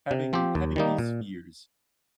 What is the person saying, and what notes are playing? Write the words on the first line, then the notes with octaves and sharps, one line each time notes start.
having having these fears
C3
F3 C4 G4
D#2
D#3 G3 A#3 D#4
A#2